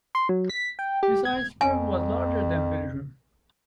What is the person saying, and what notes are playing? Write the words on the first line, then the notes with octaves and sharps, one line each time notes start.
This iceberg was larger than Belgium.
C6
F#3
B6
G5
G4
G#6
F2 G#5